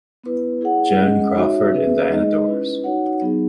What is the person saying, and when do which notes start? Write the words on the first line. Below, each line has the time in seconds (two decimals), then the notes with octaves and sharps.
Joan Crawford and Diana Dors.
0.24 B3 E4 B4
0.61 E4 G#4 C#5 F#5
0.98 G#3 C#4 G#4 D#5 F#5
1.35 D#4 F#4 C#5 E5
1.72 C#4 G#4 B4 E5
2.10 G#3 D#4 G#4 D#5
2.46 C#4 E4 B4
2.84 D#4 F#4 C#5 F#5
3.21 F#3 B3 D#4 G#4